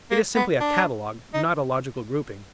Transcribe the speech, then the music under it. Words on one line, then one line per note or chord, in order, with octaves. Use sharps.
It is simply a catalogue, not a logical grouping.
A#3
B3
D4
D#4